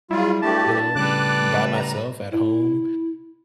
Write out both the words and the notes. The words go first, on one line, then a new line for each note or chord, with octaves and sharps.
you know, by myself at home,
F#3 G3 E4 F4 G#4
G2 A3 D4 F#4 G4 A5
A2 C#3 G3 B4 D6 F#6
A#5
E4